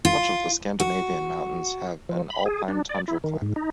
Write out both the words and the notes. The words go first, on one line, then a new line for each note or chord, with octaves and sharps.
Much of the Scandinavian mountains have an alpine tundra climate.
F4
F#4
F3
B5
G#4
D4
D5
E4
D#3
G#2
D#4